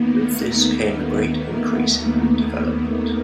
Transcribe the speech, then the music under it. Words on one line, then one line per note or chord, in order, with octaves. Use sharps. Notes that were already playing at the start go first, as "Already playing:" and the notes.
With this came a great increase in route development.
Already playing: D#2 D#3 A#3 B3
A3
A#3
B3